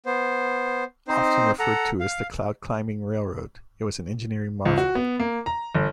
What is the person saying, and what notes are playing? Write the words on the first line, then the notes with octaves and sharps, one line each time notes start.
Often referred to as the "Cloud Climbing Railroad" it was an engineering marvel.
B3 C5
C4 D#4 C5
A4 F#5 A#5
F5
C#2
F#4
B3
A#3
A#5
G1